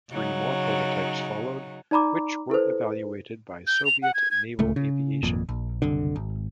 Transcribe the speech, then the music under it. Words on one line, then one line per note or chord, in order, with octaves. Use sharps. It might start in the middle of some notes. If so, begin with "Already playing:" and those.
Three more prototypes followed, which were evaluated by Soviet Naval Aviation.
C#3 F#3 D#4
D#4 D5 A#5 B5 D6
E4 A4 B4 C5
G6
F7
F#5
G#6
G#6
D1 C#2 A3
C#3
G#1 F2 A#2
A#1
F#1 C2 D3
G#1